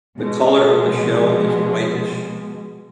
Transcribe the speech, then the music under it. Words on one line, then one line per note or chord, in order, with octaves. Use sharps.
The colour of the shell is whitish.
B2 F3 G#3